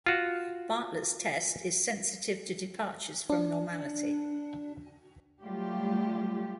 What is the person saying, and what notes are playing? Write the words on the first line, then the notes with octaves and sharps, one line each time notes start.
Bartlett's test is sensitive to departures from normality.
F4 F#4
D4
F#3 G3 A3 F4 G4